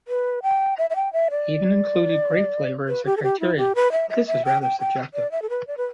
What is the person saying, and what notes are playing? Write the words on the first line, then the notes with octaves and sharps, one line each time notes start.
He even included grape flavour as a criterion, but this is rather subjective.
B4
G5
E5
E5
G5
E5
D5
B4
G4
A4
G4
E4
G4
B4
E5
E5
E5
G5
G5
G5
D5
E5
A4
B4
D5
B4